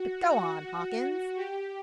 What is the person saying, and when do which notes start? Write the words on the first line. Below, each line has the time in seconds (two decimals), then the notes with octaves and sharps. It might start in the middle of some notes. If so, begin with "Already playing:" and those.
"But go on, Hawkins."
Already playing: F#4
0.30 F#4
1.37 G4